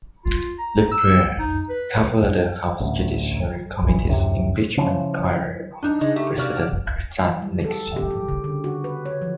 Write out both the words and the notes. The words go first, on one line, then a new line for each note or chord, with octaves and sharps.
Lehrer covered the House Judiciary Committee's impeachment inquiry of President Richard Nixon.
F4
A#5
E6
D#4
B4
A1 D2
A#1 E3
D1 F#2 C3
C#3 E3 F3 C#4
D4 D#4
C#3 G#3
A3 G4
C3 A#3 F#4 D5 F6
E3
G3
A4
G4
G4
C#3
D3
F#4
B4
C#5
F3